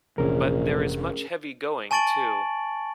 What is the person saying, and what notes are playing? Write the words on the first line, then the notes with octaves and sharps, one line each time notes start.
But there is much heavy going too.
F1 A#1 C3 E3 C#4 G#4 A#4
G#5 A5 C#6 A6 D7 F#7